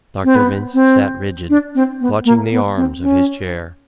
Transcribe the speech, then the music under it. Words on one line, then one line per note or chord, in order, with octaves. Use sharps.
Dr. Vince sat rigid, clutching the arms of his chair.
C4
B3
C4
D4
C4
B3
A#3
B3
C4
C#4